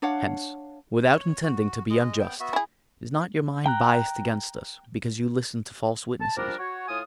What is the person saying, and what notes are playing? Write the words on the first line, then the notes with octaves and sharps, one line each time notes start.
Hence, without intending to be unjust, is not your mind biased against us because you listened to false witnesses?
D4 C#5 F5 F#5
C#5
F#4
G#3 D#5
B3 G5
B3 F#4 E5
E4 G#4
G5 A#5 F#6
A5
F3 G3 D4 A#4
F#4 C#5
A2 F4 G#5 D#6